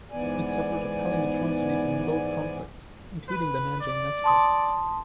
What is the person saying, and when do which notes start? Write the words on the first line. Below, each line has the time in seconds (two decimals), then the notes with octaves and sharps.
It suffered appalling atrocities in both conflicts, including the Nanjing Massacre.
0.12 G#2 E3 B3 D5 G#5
3.29 B4
3.81 D5
4.24 A5 C6 D#6